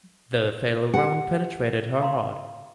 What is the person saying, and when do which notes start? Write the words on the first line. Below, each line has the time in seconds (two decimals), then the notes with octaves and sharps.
The fatal wound penetrated her heart.
0.94 G4 F#5 G#5
2.01 F5 A#5 C6